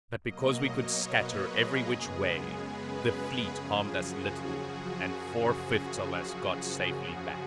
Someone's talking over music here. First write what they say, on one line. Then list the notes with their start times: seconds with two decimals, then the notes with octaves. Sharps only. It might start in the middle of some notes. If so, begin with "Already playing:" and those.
But because we could scatter every which way, the fleet harmed us little; and four-fifths of us got safely back.
0.23 B2 F#3 A#3 D#5
0.64 C#5
1.05 B4
1.46 G#4
1.86 F#2 C#3 G#3 B3 G#4
2.68 B4
3.09 G#4
3.49 F#2 C#3 F3 G#4
3.90 F#4
4.72 F#4